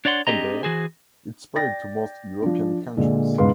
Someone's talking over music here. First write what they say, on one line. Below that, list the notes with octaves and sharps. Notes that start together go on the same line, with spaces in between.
From there, it spread to most European countries.
D4 C#5 D5 F#5 C6
C4 D4 G4 G#4 D#5 A#5
E3 F#4 G#4 C5 G#5
D5 G5 A6 A#6
F3 D4
A#2 D3 G#3
E1 G#2 C#3 B4 F5 C6